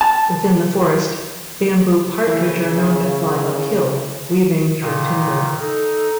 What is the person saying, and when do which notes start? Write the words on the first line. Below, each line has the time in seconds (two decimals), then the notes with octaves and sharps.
Within the forest, bamboo partridge are known to fly uphill, weaving through timber.
0.01 A5
2.27 C#3 E3 E4
4.81 A#2 D#3
5.61 D#4 A4